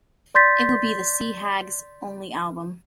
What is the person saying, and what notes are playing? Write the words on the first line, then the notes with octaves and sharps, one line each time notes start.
It would be the Sea Hags' only album.
D5 C6 G6 A6 B6